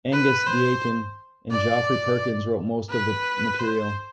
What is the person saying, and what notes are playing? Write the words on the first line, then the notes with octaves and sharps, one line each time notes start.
Angus Deayton and Geoffrey Perkins wrote most of the material.
B4
C5
D5
B4
C5